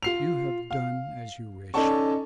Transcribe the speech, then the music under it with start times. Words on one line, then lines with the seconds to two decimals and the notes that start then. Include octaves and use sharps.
You have done as you wished.
0.03 F4 C7 F7
0.71 F5
1.74 C#4 D#4 A4 D5 A5 C#6